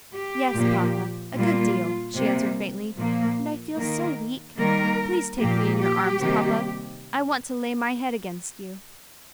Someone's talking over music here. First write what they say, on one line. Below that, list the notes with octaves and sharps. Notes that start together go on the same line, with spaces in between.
"Yes, papa, a good deal," she answered faintly; "and I feel so weak. Please take me in your arms, papa, I want to lay my head against you."
G4
A#2 F3 A#3
A#2 G3 A#3 F4
C3 G3 A#3
A#2 F3 A#3
D#3 A#3 A#4
D#3 G3 A#3 A#4
A#2 F3 A#3 G4
G4
C3 D#3 G3 A#3